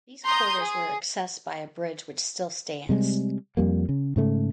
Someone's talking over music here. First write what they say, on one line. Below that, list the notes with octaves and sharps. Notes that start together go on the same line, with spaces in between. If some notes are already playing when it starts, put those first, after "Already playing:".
These quarters were accessed by a bridge which still stands.
A#5 C6 D#6 G6
G#4
C3 G3 G#3
F2 G3 A#3
C#3
G#2 C#3 A3